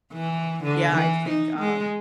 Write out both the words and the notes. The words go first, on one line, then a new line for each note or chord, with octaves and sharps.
Yeah, I think, um,
E3
D3
E3
D#4
G#3